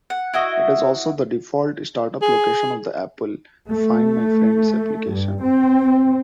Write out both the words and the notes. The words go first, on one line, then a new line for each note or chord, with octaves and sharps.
It is also the default startup location of the Apple "Find my Friends" application.
F#5
E4 F#4 D#5
G#4
A3
G2
C4